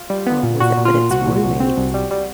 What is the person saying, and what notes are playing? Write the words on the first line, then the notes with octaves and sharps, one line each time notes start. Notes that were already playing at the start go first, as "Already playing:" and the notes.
um, with it, but it's roommates
Already playing: F4
G3
B3
A#2
A#2 F#4
A#2
F4
A#2
C2 F#4
A#2
C2
C4
C2
G3
G3